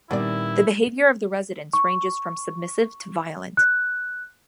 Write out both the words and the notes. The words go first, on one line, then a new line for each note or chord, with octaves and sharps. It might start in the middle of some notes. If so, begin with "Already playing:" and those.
The behavior of the residents ranges from submissive to violent.
A#2 D#3 G3 B3 C4 D4 E4 D5
C#6
F#6